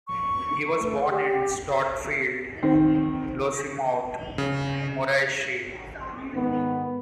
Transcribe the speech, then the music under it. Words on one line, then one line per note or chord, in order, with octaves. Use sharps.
He was born in Stotfield, Lossiemouth, Morayshire.
C#6
A3
G4
D#3 C4
C#3
G#2 D#3 B3